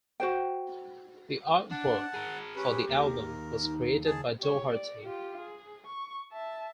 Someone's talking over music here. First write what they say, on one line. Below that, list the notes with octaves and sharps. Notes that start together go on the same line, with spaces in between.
The artwork for the album was created by Doherty.
F#4 C5 G5
D4 F#5 A5
G#4 A#4
C#4 G4 B4
D#2 A#4
D#4
D#3 G#4 A5
G4 C#5
D5
F4 G4
G#4
C#6
E5 A5